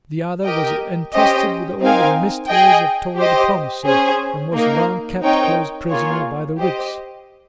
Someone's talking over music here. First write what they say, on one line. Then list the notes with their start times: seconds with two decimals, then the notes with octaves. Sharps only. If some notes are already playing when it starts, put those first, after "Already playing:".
The other was entrusted with all the mysteries of Tory diplomacy, and was long kept close prisoner by the Whigs.
0.45 G4 A#4 D#5 G5
1.13 C#4 G4 C5 D#5 G5
1.81 C4 D#4 A#4 F5 G#5
2.49 G#4 D#5 G5
3.17 G4 C5 D#5
3.85 C#4 G#4 C5
4.54 A#3 D#4 A#4
5.22 C4 D#4 A#4 C#5 G5
5.90 A#3 F4 G#4 C#5
6.58 G4 C5 D#5